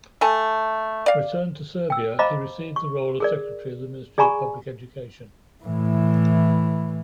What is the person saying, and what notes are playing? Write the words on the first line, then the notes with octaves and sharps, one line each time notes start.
Returned to Serbia, he received the role of secretary of the Ministry of Public Education.
A3 A4 G#5 A5
D5 F5
G5 E6
C5 D#5 F5 A#5 B5 D6
C#6
G#4 A#4 D5
G#4 D5 G#5 A#5 B5 C#6
A2 E3